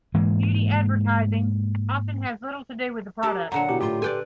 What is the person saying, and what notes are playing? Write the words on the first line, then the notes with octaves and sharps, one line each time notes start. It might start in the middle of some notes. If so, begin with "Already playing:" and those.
Beauty advertising often has little to do with the product.
G#2 E3 G#3 A#3
G4 A4 A#4
A#2 D3 F#3 F#5 A#5
B2 E4 G4
A2 F4 G4 C6
A4 B4 D5 G5 G#5